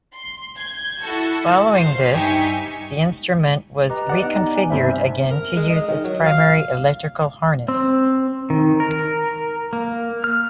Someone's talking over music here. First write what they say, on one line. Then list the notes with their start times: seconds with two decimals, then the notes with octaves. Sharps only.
Following this, the instrument was reconfigured again to use its primary electrical harness.
0.14 C6
0.57 G6 G#6
1.03 E4 F#4 A4
1.73 C5 F5
2.12 G2 D#4 G4 E5 G#5 C#6
3.90 G4 B4 D#5 A#5
4.09 D5 D#5 F#5
4.23 B3 D#4
4.55 G#5
4.70 G#1 G2 C3 C5 E5
5.31 A#4
5.56 G#3
5.70 D#5
5.88 D#3
6.04 F#3
6.26 F5
7.68 C4
8.50 D#3
8.80 A#4
9.73 A#3
10.24 F6